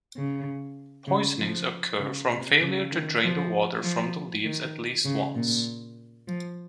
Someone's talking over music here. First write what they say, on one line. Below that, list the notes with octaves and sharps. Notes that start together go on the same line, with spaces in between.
Poisonings occur from failure to drain the water from the leaves at least once.
C#3
C#3
F3
C#3
C3
C#3
D#3
F3
F3
D#3
C#3
A#2
F3